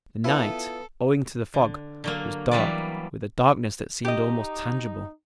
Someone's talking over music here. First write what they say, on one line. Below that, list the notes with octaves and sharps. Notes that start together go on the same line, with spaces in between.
The night, owing to the fog, was dark with a darkness that seemed almost tangible.
B3 E4 F4 A4 B4
D3
D3 F#3 A#3
E3 F#3 G3 A#3 B3 D5
D#4 G4 D#5